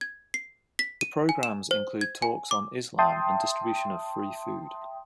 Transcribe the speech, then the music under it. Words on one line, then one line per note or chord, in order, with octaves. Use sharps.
The programs include talks on Islam and distribution of free food.
G#6
C7
B6
D#7
G#5
E7
C5
G#6
G#5
D6
E5 G5 A5 C6 D#6